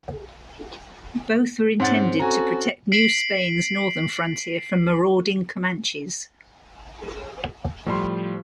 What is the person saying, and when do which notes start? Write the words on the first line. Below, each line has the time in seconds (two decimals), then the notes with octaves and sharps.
Both were intended to protect New Spain's northern frontier from marauding Comanches.
1.80 G#2 C4 C#4 C5 F#5 A6
2.20 F#4 A4 G#5 A#5
2.92 B6 C7 D7 F#7
7.87 A2 F3 G3 C6